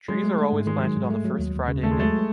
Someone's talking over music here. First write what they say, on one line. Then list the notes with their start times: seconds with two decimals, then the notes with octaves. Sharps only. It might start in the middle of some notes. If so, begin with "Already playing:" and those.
Trees are always planted on the first Friday in April.
0.08 F#3 G#3
0.24 A3
0.38 A3
0.53 G#2
0.66 D#3 G#3
0.81 F#3
0.96 G#2
1.11 A3
1.25 F#3
1.39 D#2
1.54 D#2
1.68 C#3
1.83 D#2 A3
1.91 G#3
1.98 F#3 A3